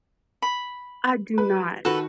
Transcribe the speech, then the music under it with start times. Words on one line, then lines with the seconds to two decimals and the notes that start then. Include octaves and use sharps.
I do not.
0.42 B5
1.38 B4
1.85 D#3 F#4 A4 B4